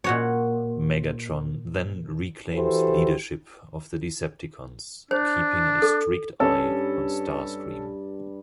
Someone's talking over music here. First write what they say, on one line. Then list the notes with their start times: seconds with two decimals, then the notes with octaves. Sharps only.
Megatron then reclaims leadership of the Decepticons, keeping a strict eye on Starscream.
0.04 A#2 F#4 C#5
2.53 E3 F#4 G4 A4 C5
5.11 D4 C5
5.82 A4
6.40 G2 C#4 A4